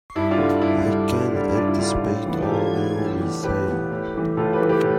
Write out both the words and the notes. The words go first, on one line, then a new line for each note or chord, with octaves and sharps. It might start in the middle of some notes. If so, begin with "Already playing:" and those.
I can anticipate all you will say.
G2 E4
D4 F4
D3 G3
G2 E4
D3 G3
G2
D3 G3
G2 D4 F4
E4
D3 G3 D4 F4
D4 F4
A2
E3 B3
G4
A2 F4 A4
E3 B3
A2
E3 B3
A2 G4 B4
E3 B3
A2
E3 A3
A2 F4 A4
G4 B4
E3 A3
G4 B4
A2